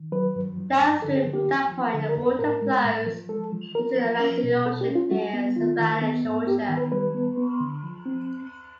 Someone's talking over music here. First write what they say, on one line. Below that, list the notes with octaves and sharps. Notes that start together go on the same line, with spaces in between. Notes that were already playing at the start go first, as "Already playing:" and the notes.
Downstream from that point, the water flows into the Atlantic Ocean near Savannah, Georgia.
Already playing: D#3
F#3 B4
G2
F3
G2
D3 A4
G#4
F3
G4
F2
F3
D3 A4
A#4
F2
B4
A2 A#4
G#3
A2
F3
G#3 A4
F3
F3 A#4
F3
C#4 A#4
B2
B2 A4
G4
C#4
F4
G3 F#4
B3
D#3 F4
D#3
B3
G#2
B3 G4
D#3
B4
G3 B4
B3
B3
D3
F3
C4